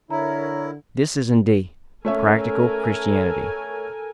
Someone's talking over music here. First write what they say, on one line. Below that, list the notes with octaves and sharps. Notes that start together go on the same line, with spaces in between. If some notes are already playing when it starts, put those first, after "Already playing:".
This is indeed practical Christianity.
D3 E4 A#4 C#5 A#5
A3 C#4 A4 A#4 E5 G#5